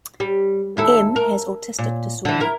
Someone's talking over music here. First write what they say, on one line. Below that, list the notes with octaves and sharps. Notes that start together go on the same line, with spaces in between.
M has autistic disorder.
G3
D#2 E4 A4
A#4
A#2
D3 E3
E4 A#4